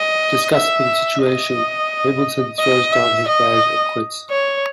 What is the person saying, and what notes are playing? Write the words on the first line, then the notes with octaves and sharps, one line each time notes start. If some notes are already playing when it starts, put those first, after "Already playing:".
Disgusted with the situation, Pembleton throws down his badge and quits.
Already playing: D#5
E5
D#5
D#5
E5
D#5
C#5